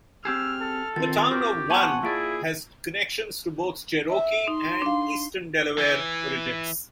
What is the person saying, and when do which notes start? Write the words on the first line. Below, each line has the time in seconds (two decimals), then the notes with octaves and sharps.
The town of Wann has connections to both Cherokee and Eastern Delaware origins.
0.25 C4 G4 G#4 E6 F6
0.61 A4
0.96 D#3 C4 F4 A6
1.31 F#4 G4 A#4
1.70 F3 B3 F#5 G#5 A5 C6 C#6
2.03 A#3 E4 F4 G#4 D5 D7
4.11 E5
4.48 D#4 C6
4.82 D4 F5
5.78 E3